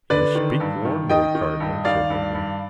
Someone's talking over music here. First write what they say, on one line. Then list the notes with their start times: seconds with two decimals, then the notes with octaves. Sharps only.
"You speak warmly, cardinal," said Henry.
0.10 D3 B4 D5
0.35 D#3
0.60 G2
0.85 D#3
1.09 D#3 D#5 G5
1.35 D#3
1.60 G2
1.85 D#3 D5 F5
2.10 G2
2.35 G2